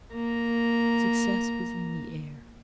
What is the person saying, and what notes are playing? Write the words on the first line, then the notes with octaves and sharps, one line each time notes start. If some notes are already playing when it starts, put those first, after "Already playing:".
Success was in the air.
A#3 A#5